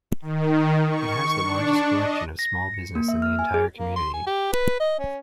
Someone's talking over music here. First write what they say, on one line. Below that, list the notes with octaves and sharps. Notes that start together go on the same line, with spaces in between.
It has the largest collection of small business in the entire community.
D#3
C#6
D4
D#5
A#6
C#7
A#3
E5
F6
G#5
G#4
A#3
C6
G#5
G4
B4
D#5
C#4